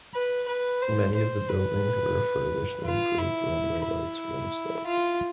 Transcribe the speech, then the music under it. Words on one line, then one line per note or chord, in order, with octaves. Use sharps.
Many of the buildings were refurbished and improved runway lights were installed.
B4
B4
C5
C5
B4
F4
E4
E4
F4